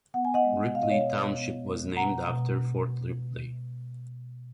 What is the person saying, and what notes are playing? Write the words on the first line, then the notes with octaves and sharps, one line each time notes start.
Ripley Township was named after Fort Ripley.
B3 F#5
G#5
D#5 F#5
G#3
B2 F5
D#5
C#5 F5
B2
B3
G#3
B2 F#5 A#5
B2